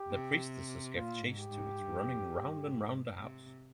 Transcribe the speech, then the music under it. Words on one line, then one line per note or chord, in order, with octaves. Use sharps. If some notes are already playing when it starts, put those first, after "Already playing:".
The priestesses gave chase to it, running round and round the house.
Already playing: G4
C3
A#2 F4
G#2
G4
G#2
G2
F2
G2
G#2
C3